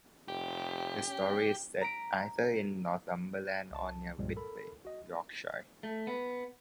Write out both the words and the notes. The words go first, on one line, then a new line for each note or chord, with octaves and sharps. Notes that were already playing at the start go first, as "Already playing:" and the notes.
The story is set either in Northumberland or near Whitby, Yorkshire.
F1 G4
C#4
A#5 B6 D7
C2 A5
C2 G2 A#2 F3 G3 G#3
A4 A#4 B5
F#4 D#5
A3
B3